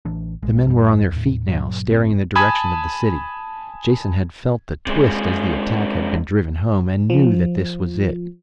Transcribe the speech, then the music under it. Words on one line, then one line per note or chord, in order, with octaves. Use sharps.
The men were on their feet now, staring in the direction of the city. Jason had felt the twist as the attack had been driven home, and knew that this was it.
A1 E3 D4
A#1 G#3
A1 F#2 G3
D#2 A2
G2 A#2 F#3
G1 C4
G#5 A5 B5 D#6 G#6
C3 G#3
F3